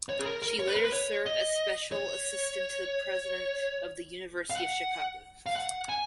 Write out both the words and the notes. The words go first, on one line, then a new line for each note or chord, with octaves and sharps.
She later served as special assistant to the president of the University of Chicago.
C#5
G#4
A#4
A#4
C#5
B4
A#4
B4
C#5
D#5
C#5
F5
F#5
F5
F#5
G#5